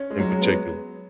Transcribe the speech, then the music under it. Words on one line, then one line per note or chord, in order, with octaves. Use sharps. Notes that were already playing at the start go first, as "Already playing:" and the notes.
in particular?
Already playing: C#4
G#3
F#3
G#3
B3